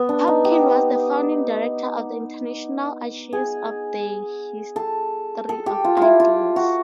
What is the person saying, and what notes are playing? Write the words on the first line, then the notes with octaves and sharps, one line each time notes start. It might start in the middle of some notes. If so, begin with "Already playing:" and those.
Popkin was the founding director of the International Archives of the History of Ideas.
Already playing: B3
D4
D#4
G4
G#4
A4
A4
G4
F4
E4 F4
F4
F#4